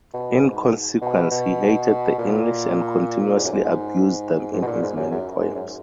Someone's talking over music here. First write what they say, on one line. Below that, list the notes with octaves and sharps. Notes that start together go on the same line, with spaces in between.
In consequence he hated the English and continuously abused them in his many poems.
B2
G#2
B2
B2
A#2
G#2
F#2
G#2
G#2
B2
A#2
G#2
F#2
F#2
G#2
F#2